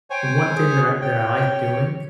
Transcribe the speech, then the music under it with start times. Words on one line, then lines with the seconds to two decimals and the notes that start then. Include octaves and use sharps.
the one thing that I that I like doing
0.10 C5 C#5 G5 G#5
0.55 G#4
1.01 C#5 G5